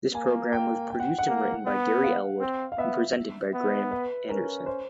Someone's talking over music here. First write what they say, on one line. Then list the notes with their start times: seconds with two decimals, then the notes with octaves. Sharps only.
This programme was produced and written by Gary Ellwood and presented by Graeme Anderson.
0.14 A#3 G#5
0.52 G5
0.90 G5
1.00 F#5
1.19 F#5
1.28 A#3
1.65 B3
2.03 F5
2.40 C4
2.72 F5
2.78 B3 E5
3.54 B3
3.91 B4
4.29 C#4 A#4
4.66 C5